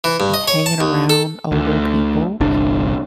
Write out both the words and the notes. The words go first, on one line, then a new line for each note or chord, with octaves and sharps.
like, hanging around older people,
E3
G2
D#5
C#5
A5
D#2
A4
D2
G1 C2 D4